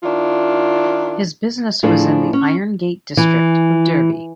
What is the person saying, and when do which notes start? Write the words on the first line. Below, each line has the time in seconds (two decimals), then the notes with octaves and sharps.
His business was in the Irongate district of Derby.
0.03 D#3 D4 E4 F4
1.83 A2 F3 D4 G#4 A4 C5
2.33 C#4
3.17 E3